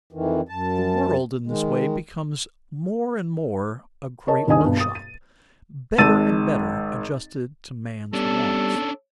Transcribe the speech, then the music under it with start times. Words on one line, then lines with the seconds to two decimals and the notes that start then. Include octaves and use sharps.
The world in this way becomes more and more a great workshop, better and better adjusted to man's wants.
0.13 F2 D#3 E3
0.49 F#2 A5
1.47 D#3 G#3
4.27 A#4 C#5 D#5 A5
4.47 D#1 D#3 D4 D#5 G#5 D#6
4.64 G2 B2
4.77 D#6 A6
4.95 D#7
5.98 G#1 G#2 A5 E6 A6 D#7
8.13 G3 B3 C#4 D4 A4